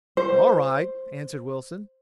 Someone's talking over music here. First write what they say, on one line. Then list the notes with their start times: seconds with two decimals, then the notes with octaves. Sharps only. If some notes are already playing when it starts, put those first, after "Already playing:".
"All right," answered Wilson.
0.17 C5